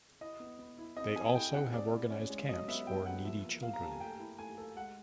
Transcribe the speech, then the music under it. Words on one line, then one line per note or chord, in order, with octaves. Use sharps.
They also have organized camps for needy children.
E4 D#5
B3
B3
E4
C4 D#5
E4 G#5
E4 G5
C4 F#5
G#4 D5
E4
C#4
G#3
F#3 D#5
B3 E5
F#3 G5
B3 F#5
F3 E5
A#3
A#3 F5
A#5
A#3 A5
G#5
A3 G5
E4
A3 G#5
A4
G#3 F#5